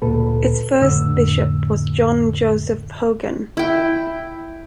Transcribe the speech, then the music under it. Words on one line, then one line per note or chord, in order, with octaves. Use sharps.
Its first bishop was John Joseph Hogan.
D2 A#2 A4 B4
F2 A2 D3 E6
E4 G5